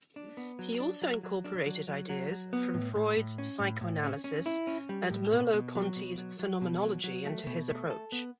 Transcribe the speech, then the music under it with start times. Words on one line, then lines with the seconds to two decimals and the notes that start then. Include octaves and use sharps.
He also incorporated ideas from Freud's psychoanalysis and Merleau-Ponty's phenomenology into his approach.
0.16 D4
0.37 B3
0.59 F#3
0.80 D4
1.02 F#3
1.23 F#3
1.44 D4
1.66 F#3
1.88 F#3
2.09 F#3
2.31 F#3
2.53 B3
2.74 A2
2.95 A2
3.17 A2
3.38 C#4
3.60 A2
3.81 A2
4.03 C#4
4.24 C#4
4.46 E4
4.67 C#4
4.89 G3
5.10 A2
5.32 B2
5.53 B2
5.75 F#3
5.96 B2
6.18 F#3
6.39 F#3
6.61 B2
6.83 F#3
7.04 F#3
7.25 A3
7.47 B2
7.68 A3
7.90 A4
8.12 B3